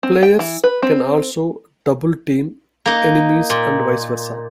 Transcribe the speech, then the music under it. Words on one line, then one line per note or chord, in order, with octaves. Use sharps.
Players can also double-team enemies and vice versa.
C4
G5
E3
B4
C4
A#3 D#4
A#2